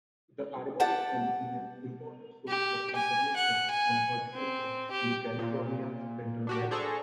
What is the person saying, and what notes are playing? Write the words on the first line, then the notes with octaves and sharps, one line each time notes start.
The Arboretum is an important source of information on horticulture in California's Central Valley.
G4 F#5 A5
G4
G#5
F#5
G#5
C4
G4
A#2
D4 F#4 G4
D4 G#4 A4 C5 A#5 C#6